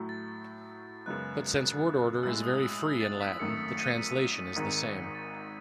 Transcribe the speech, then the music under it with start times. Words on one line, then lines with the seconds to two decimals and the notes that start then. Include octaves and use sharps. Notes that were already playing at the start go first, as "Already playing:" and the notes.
But since word order is very free in Latin, the translation is the same.
Already playing: A2 F#3 A3
0.09 A6
0.28 A6
1.06 F#2 C#3 G#3 B3 F#6
2.23 B1 A2 G#3 E6
2.43 D#6
2.62 E6
2.81 E6
3.01 A6
3.20 B6
3.39 G#1 F#2 D#3 A3 C#7
3.73 C#7
3.78 D#7
3.98 B6
4.56 G#1 G#2 D#3 G#3 D#4
5.15 A6